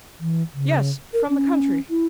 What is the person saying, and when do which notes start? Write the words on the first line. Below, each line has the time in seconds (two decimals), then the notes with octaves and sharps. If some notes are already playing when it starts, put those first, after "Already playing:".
Yes--from the country.'
0.20 E3
0.53 C#3
1.13 A#4
1.28 C#4
1.90 E4